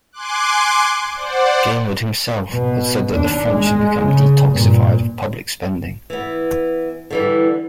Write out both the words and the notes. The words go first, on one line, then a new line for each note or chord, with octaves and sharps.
Gaymard himself had said that the French should become "detoxified" of public spending.
G#5 C6 D6 F#6
C5 D5 F#5
B2
D#2 D4
G#3
C#3
G2 A#2
E3 B3
D3 E3 G3